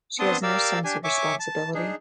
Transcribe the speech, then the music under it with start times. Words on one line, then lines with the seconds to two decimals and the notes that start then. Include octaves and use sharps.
She has no sense of responsibility.
0.19 B3 C4 D4 A5 C6 D#6
0.43 G4 A#4 D5 F5 E6
0.84 D4 G4 G#5
1.04 C#5 E5 G#5 C#6 D6
1.39 A5
1.74 D4 D#4 G#4